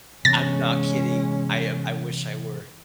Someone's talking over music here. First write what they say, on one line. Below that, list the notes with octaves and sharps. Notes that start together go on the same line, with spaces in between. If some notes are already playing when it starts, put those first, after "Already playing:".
I'm not kidding. I am I wish I were.
C3 E3 G#3 B3 C#4 A6 A#6